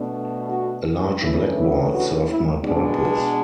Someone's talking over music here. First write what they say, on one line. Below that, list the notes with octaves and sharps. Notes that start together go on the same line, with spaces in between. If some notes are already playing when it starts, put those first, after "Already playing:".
A large blackboard served my purpose.
Already playing: B2 A3 D4
F#4
C#3 E3 A3 D4 E4
E4
F#4
E4
B2 G#3 B3 D4